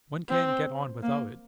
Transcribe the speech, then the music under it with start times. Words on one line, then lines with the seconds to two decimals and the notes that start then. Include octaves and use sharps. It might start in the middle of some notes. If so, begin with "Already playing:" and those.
One can't get on without it.
0.30 C4
1.03 A#3